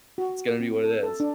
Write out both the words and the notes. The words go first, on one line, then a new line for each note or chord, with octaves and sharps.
it's gonna be what it is,"
F#4
C4
A4
A4
D4